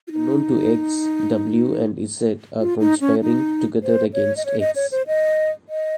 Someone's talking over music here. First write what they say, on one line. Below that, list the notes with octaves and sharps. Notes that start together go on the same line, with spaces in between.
Unknown to X, W and Z are conspiring together against X.
F4
D#4
F4
D#4
C#4
D#4
C5
C#5
D#5
C#5
D#5
C#5
C5
D#5
D#5